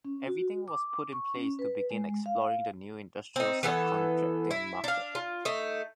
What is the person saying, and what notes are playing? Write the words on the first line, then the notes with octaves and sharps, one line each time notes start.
Everything was put in place to begin exploring the new industrial subcontracting market.
C#4
F#4
D6
C#6
C#4
B4
G#3
F5
F5
C4 D#4
E3 B3 A4
E4
D4 F5
F4
A3 D#4